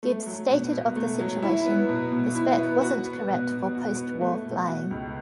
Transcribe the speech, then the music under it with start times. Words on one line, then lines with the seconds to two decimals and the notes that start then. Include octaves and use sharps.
Gibbs stated of the situation: the spec wasn't correct for post-war flying.
0.03 A3
0.26 F#3
0.49 B2
0.72 B2
0.96 A3
1.19 F#3
1.42 E4
1.66 B3
1.89 B2
2.12 B2
2.35 E4
2.58 B3
2.81 F#4
3.05 B3
3.29 B2
3.52 B2
3.75 F#4
3.98 B3
4.21 A3
4.45 B2
4.67 F#4
4.91 C#2